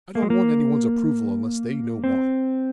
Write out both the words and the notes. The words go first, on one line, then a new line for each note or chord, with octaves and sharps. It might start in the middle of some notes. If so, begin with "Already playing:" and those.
I don't want anyone's approval unless they know why.
A#3
G#3
A#3
C4